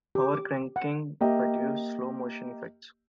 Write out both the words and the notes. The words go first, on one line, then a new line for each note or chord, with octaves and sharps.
"Overcranking" produces slow motion effects.
G4
D6
F#5
A#3 G4 D#5 E5